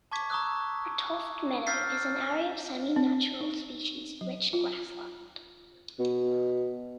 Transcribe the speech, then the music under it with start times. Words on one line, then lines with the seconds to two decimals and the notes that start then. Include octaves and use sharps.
Bratoft Meadow is an area of semi-natural species rich grassland.
0.12 A5 C#6 D6 G#6 B6
0.30 A#5 C#6 D#6 E6 F#6
1.67 E6 F6 G6 A6 B6 C7
2.96 C4
3.41 D#4
4.21 F#3
4.53 F4
5.99 B2